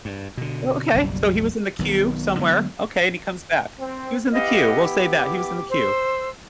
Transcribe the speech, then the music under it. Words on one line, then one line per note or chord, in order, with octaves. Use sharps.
Well, okay, so he was in the queue somewhere, okay, and he comes back. He was in the queue. We'll say that. He was in the queue.
G2
B2 D3
F#1 B1 F#2 G3
B1 D#3 B3
D3 F#3 G#3 B3
C4
B3 E4 G4 D#5 F5 F#5
D6
C5 E6